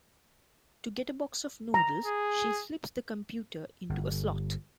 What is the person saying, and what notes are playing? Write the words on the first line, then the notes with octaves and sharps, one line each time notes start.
To get a box of noodles, she slips the computer into a slot.
A#5
G#4
G1